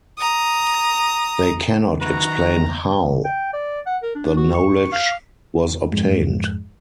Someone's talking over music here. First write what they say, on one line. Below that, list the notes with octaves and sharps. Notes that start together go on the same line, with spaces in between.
They cannot explain "how" the knowledge was obtained.
A#5 D#6
D#3 F#4 B4 A#5
G5
D5
F#5
A#4
D4
F#4
C#6
F5
F2 G#2 G#3